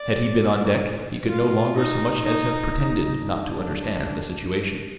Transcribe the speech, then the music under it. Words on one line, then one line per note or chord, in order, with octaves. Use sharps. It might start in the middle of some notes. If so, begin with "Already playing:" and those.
Had he been on deck, he could no longer so much as have pretended not to understand the situation.
Already playing: D5
F4
D#4
D#4
D#4
D4